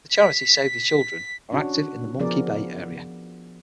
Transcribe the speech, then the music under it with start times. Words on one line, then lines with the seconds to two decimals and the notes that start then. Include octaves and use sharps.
The charity Save the Children are active in the Monkey Bay area.
0.12 B6
1.52 C#4 D4 F#4
2.20 F3 B3 G#4 A#4 D5